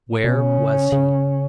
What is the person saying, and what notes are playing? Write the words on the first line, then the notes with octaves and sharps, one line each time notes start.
Where was he?
B2 C#4
C#3
C#3